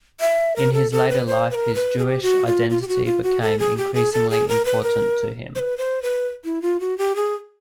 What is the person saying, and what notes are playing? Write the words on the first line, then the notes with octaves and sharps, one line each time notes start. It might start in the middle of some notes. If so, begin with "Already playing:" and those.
In his later life, his Jewish identity became increasingly important to him.
E5
A#4
A4
A4
B4
C5
B4
A#4
B4
G#4
G4
F#4
F4
F4
G4
F#4
F4
F#4
A4
G#4
G4
G#4
A4
G#4
A#4
B4
A#4
C5
B4
C5
B4
E4
F4
F#4
G4
G#4